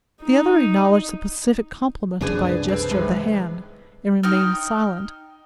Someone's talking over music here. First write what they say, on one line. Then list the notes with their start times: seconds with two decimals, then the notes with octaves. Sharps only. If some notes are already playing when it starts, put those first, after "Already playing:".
The other acknowledged the pacific compliment by a gesture of the hand, and remained silent.
0.23 D#4
2.21 C2 F#2 C#3 F3 D4 G#4 B4
2.68 C4 A4 B4
2.90 E2 G2 D#3 G#3 C5
4.23 D#4 G5 F6